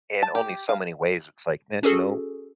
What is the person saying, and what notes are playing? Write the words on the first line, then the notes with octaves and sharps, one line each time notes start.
in only so many ways, it's like, man, you know,
A5
G4
F5
C#4 F#4 G#4 A4